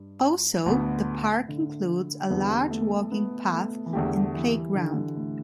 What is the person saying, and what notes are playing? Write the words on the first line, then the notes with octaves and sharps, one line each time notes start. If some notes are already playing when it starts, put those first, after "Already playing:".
Also the park includes a large walking path and playground.
Already playing: G2
D2 A2 D3 B3
D3
E2 D3 G3 B3
A3
B3
A3
E3
E2 D3 G3 A3 G4
E3
D3
A2